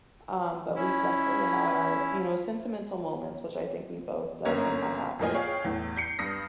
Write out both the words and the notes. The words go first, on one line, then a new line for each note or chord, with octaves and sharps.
Um, but we've definitely had our, you know, sentimental moments, which I think we both definitely have had with
C#4 E4
G1 F#2 A#3 C#4 A#5 G#6
F2 A2 A#3 F4 D#5 G#5
G#4 C#5 F5 G5
E2 A2
G6 C7 C#7
G2 D#6 A#6